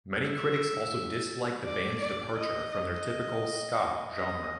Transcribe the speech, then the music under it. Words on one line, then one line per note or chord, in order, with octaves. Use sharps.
Many critics also disliked the band's departure from their typical ska genre.
E5
D5
D5
D#5
D#5
D#5